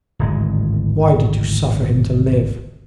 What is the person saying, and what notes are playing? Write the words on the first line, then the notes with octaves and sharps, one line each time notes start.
"Why did you suffer him to live?"
D1 G#1 G#3